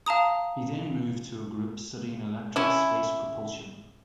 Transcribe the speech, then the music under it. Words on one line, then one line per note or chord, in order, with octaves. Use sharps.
He then moved to a group studying electric space propulsion.
F5 A5 A#5 D#6
C#4 E4